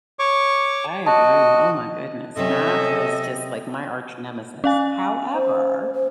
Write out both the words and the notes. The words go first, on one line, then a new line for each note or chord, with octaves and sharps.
I agree, oh my goodness. Math was just like my arch-nemesis. However
C#5 C#6 D6
F#4 D#5 A5
C3 F#3 C#4 A4 D#5 E5
C#4 F5 G#5
C5
C5